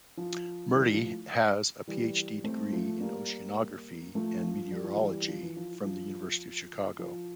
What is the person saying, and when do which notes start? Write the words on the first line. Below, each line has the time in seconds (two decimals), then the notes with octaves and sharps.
Murty has a PhD degree in oceanography and meteorology from the University of Chicago.
0.17 F3
0.74 E3 G3
0.92 F3 A3
1.87 E3 G3
2.44 A3 C4
2.73 F3 A3
3.01 G3 A#3
4.15 F3 A3
4.43 F3
4.71 G3
4.84 F3
4.96 E3 G3
5.28 F3
5.43 E3
5.56 F3
5.85 F3
6.99 F3